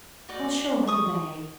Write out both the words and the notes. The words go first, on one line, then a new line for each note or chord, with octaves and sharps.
"I'll show her the bag."
D#4 F#4 A#4 D5
C#6 D#6